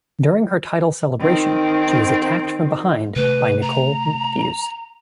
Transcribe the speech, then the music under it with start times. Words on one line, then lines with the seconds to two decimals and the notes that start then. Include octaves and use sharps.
During her title celebration, she was attacked from behind by Nicole Matthews.
1.19 D#3 C4
3.16 C3 A3 B4
3.62 A#5